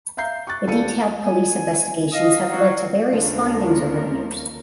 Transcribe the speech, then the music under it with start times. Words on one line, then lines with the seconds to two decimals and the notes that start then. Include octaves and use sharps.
The detailed police investigations have led to various findings over the years.
0.17 E5 F5 A#5 G6 C7
0.47 C#6 D6 F#6 A6
0.67 E2 G3 A4 F5 C#7 D#7
1.23 G#5
2.13 D#5 F5 F6
2.50 F#3
3.13 D#2 C#3 F3 A3 A#3 D4 F4 A#4